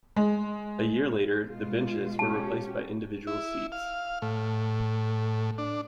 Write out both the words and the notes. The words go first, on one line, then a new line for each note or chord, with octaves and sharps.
A year later, the benches were replaced by individual seats.
G#3
B2 G#3 F4
C#4 F#4 G4 A5
E4
F5
A2
D4